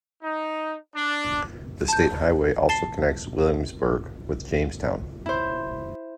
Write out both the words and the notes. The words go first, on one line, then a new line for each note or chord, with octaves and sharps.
The state highway also connects Williamsburg with Jamestown.
D#4
D4
A5 G6
A5 A6 C7 G7
E4 C5